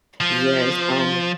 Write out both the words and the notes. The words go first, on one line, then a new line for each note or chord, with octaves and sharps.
Yes, call me
F3